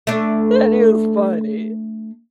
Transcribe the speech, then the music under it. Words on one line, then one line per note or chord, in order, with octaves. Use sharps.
That is funny.
A3 D4